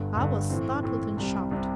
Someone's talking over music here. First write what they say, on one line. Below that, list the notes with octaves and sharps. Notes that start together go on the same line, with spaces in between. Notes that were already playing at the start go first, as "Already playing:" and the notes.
I was startled and shocked.
Already playing: G1 G2 D3
G1 G2 D3
A2 E3 C4
A2 E3 C4
C2 C3 G3
C2 C3 G3